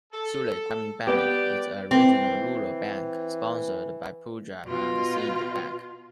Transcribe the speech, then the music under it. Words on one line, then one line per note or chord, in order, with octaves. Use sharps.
Sutlej Gramin Bank is a Regional Rural Bank sponsored by Punjab and Sind Bank.
A4
B3 G4 D5
E3 C4
B2 F4